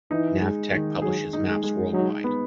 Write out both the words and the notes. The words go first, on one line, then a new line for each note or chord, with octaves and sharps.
Navteq publishes maps worldwide.
E3 D#4
G#3
D#3
F#3 G#4
D#4
G#3
G#3
F#3 D#4
B3